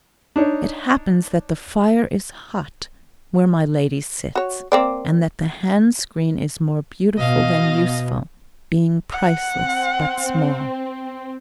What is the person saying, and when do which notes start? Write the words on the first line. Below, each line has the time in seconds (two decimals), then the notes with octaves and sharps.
It happens that the fire is hot where my Lady sits and that the hand-screen is more beautiful than useful, being priceless but small.
0.36 D4 D#4 C#5
4.35 F#4 C#5
4.72 A#3 C4 D5
7.18 B2 D#5 F5
9.12 F#5
9.57 C4